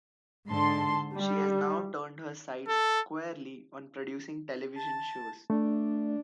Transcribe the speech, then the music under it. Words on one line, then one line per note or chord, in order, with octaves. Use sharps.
She has now turned her sights squarely on producing television shows.
G#2 D3 A5 C6
G3
A4
A5
A3 D4